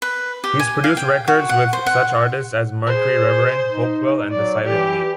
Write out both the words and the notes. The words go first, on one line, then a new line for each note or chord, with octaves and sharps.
He's produced records with such artists as Mercury Reverend, Hopewell and The Silent League.
B4
G4
G#5
F5
G5
F#4
F#5
C5
F#5
G#4 C5
D#4
F#3 D5
E3 G4